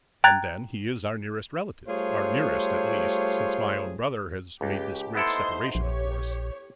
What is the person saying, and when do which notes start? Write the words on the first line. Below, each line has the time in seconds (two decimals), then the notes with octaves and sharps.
And then he is our nearest relative,--our nearest, at least, since my own brother has made this great separation, of course.
0.24 G5 A#5 F#6 G#6 A6
1.87 G3 A3 F4 G#4 C5 C#5
4.61 C#2 G4
5.15 B3 D#4 E4 A4 C5 C6
5.75 A#1 G4 C#5